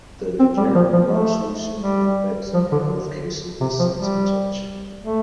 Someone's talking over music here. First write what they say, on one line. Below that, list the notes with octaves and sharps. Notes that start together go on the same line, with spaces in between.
The Dejerine-Roussy syndrome affects in most cases the sense of touch.
C4
G3
F3
F3
A3
G3
F3
D3
C3
F3
G3
A3